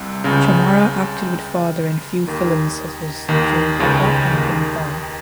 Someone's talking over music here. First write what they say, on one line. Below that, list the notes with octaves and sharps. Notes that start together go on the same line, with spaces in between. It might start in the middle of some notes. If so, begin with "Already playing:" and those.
Chamara acted with father in few films such as "Jim Pappa" and "Pin Pon".
Already playing: C2 C3
C#2 C#3
D#2 D#3
D#2 D#3
C#2 C#3
D#2 D#3